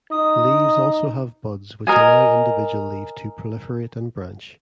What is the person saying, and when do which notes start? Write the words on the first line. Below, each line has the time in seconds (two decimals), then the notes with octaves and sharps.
Leaves also have buds which allow individual leaves to proliferate and branch.
0.11 D#4 D#6
1.87 A#4 D#5 G#5